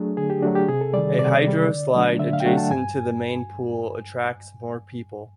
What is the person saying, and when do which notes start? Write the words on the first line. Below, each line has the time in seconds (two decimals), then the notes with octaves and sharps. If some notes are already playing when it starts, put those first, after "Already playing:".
A hydroslide adjacent to the main pool attracts more people.
Already playing: F#3 A3 D4 G#4
0.17 D3 G#4
0.30 G4
0.42 F#3 A3 D4 F#4
0.55 G4
0.69 C3 G#4
0.81 A4
0.93 D#3 G3 D5
1.19 C3 D5
1.44 D#3 G3
1.69 D3
1.95 F#3 A3 D4
2.19 D3 E5
2.33 F5
2.40 G5
2.45 F#3 A3 D4 F#5
2.57 A5
2.71 G2 G#5